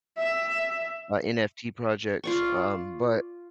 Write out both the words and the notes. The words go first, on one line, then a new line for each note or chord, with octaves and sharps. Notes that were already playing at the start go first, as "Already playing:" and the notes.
uh, NFT projects, um, but
E5
F4 D5 C#6